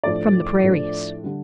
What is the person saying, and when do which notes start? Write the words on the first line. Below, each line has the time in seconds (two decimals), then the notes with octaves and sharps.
From the prairies.
0.04 A2 F3 A3 D4 D5
0.64 A2 F3 A3 D4
1.23 D3 G3